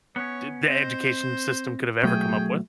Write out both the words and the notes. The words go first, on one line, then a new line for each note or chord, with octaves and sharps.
s the education system could have ever come up with
B3 C#4 C#5
C4 C5 D#5
B2 F#3 A3 C#4 G#4 G5